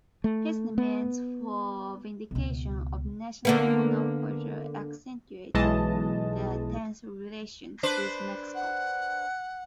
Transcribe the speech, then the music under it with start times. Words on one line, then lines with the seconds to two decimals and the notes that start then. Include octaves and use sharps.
His demands for vindication of national honor further accentuated the tense relations with Mexico.
0.24 A3
0.78 B3
2.31 C#2 B2
3.45 D3 A#3 B3
5.54 B1 E3 G#3 D#5 A5
7.83 D4 B4 C5
8.55 F#5